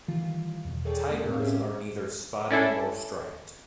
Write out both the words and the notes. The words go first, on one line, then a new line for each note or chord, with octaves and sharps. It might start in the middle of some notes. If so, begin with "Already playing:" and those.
Tigers are neither spotted nor striped.
D#3 E3 G3 F4
E2 B2
G#4 A4 C#5 D5 G5
G#3 A#3 A#4
A2 C4 C#5 F5
C#4 G4 G#4 E5
C#4 D4 E4 A4